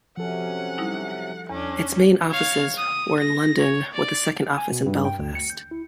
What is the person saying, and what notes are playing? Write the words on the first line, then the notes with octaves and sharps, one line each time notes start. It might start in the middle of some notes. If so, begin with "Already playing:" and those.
Its main offices were in London, with a second office Belfast.
C3 F3 F#3 C#4 A4 F#5
G3 D#4 E4
E2 C#4 D4
C#5 F5
D#6
A#6
C#5
D5
G#5
B2
G2
G5
D2
C#7
G6
E4